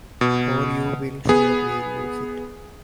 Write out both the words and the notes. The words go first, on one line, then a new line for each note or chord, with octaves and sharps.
Or you will surely lose it.
B2
B3 G#4